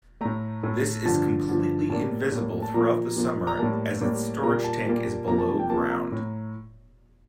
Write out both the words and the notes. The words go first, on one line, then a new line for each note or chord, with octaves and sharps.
This is completely invisible throughout the summer as its storage tank is below ground.
A2 A3 A#5
A2 A3
G2 D3 F3 A5
G2 D3 F3
A2 G3 A#3 A5
A2 G3 A#3
A5
A#2 F3 A#3 A#5
A#2 F3 A#3
A#5
A2 G3 A#3 A5
A2 G3 A#3
A#2 G3 A#3 A#5
A5
A#2 G3 A#3
C3 F3 A#3 A#5
A5
A5
G5
C3 F3 A#3 A5
A#5
A2